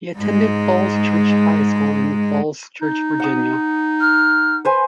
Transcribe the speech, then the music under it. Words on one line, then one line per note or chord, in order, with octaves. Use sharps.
He attended Falls Church High School in Falls Church, Virginia.
G#2 G#3
D#4
F#5 D#6
F6
B4 C5 G#5